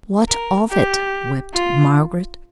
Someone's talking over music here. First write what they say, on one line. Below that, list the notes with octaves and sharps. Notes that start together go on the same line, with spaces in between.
"What of it!" wept Margaret.
A#4
G4
F4